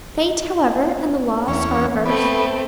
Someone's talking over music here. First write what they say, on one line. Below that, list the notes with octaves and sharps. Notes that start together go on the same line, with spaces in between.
Fate, however, and the laws are averse.
E2 C#4
A3 B3 C4